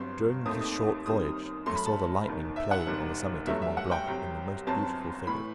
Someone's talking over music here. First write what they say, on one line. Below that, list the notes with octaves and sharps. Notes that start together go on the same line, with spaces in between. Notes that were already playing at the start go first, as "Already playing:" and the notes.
During this short voyage I saw the lightning playing on the summit of Mont Blanc in the most beautiful figures.
Already playing: G1 G2 F#3 C4 C6
D#2 D#3 A3 C4 D#6
D#6
F#2 D#3 G3 C4 D#6
F#2 F#3 A3 C6
B5
A5
E1 D#2 D#3
E5
F#5
E1 D#2 D#3 G3
G2 F#3 A3 E5
E5
F#5
G5
C2 C3 F#3 C4
G1 F#2 F#3 C4 A5
A2 E3 B5